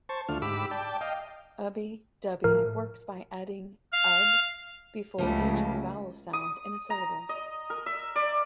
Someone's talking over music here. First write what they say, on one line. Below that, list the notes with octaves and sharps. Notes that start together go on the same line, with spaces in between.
Ubbi dubbi works by adding "-ub-" before each vowel sound in a syllable.
C5 A5 C#6
D2 A3 D4 F4 F6
G#2 G4 B5 D6 E6
D5 G5 A5
D#5 F5 G5
A2 F3 A#4
F5
C#2 F3 G3 A3
D#6
A#5
D#5
A#4
E5
D5